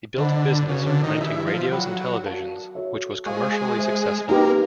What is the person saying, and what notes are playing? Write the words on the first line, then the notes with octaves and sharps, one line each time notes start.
He built a business renting radios and televisions, which was commercially successful.
D3 C5 D#5 F#5 B5
C#3 C#4 F#4 B4
D3
D#3
E3 G4 B4 D5
F3
F#3 A4 D5 G5 B5
F#4 A#4 D5 F5 A5
F#4 A4 C#5 E5
G#3 C5 F5 G#5 C#6
G#4 C5 E5
A#3 D#4 G4 B4